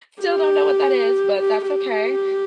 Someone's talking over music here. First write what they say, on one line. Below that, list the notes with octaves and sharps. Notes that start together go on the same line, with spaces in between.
still don't know what that is, but that's okay.
G4
G4
G4